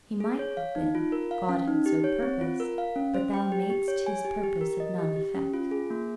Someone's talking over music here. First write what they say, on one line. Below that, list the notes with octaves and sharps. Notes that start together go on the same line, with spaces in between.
He might have been, God had so purposed; but thou madest His purpose of none effect.
G#4
C#5
F5
D#4
F4
A#4
F5
C#4
D#4
G4
C#5
C4
F4
A#4
F5
C#4
C5
G5
G4
G4
C#5
G#5
G4
G4
A#4
D#5
G4
G4
C#4
F4
G#4
A#3